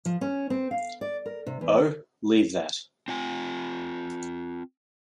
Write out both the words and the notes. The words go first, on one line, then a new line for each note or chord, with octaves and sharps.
Oh, leave that!
F3
C#4
C4
F5
D5
A#4
C3
E2
C4 F4 G#5